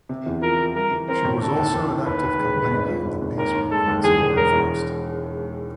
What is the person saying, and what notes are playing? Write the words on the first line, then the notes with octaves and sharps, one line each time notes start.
She was also an active campaigner in the peace movements in Belfast.
C3
E2
F3 A#4
F3
G3 A#4
E3
C4 A#4
A2
D3 A4
D#2
D#2
D#2
D#2 B4
D#2
E1
E1
G#1
F3
G#1
G#1
D#2 A#4
D#2
G#3 A4
D#2
E2 G#4
E1
E1 A#4
E2